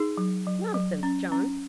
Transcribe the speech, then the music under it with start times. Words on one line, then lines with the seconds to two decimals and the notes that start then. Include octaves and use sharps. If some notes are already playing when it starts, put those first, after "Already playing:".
'Nonsense, John.
Already playing: D#4 G#4
0.17 F#3
0.47 F#3
0.74 F#3
1.03 C#4
1.32 C#4